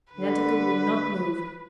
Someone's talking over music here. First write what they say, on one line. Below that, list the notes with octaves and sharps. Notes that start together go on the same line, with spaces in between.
Netteke would not move.
D3 B4